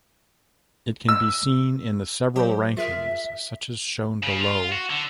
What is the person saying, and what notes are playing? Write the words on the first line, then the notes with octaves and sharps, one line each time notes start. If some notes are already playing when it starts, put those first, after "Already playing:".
It can be seen in the several rankings such as shown below.
E6
F#3 G4 C5
F4 G#4 A#4 E5
C#3
F4
F#4
D3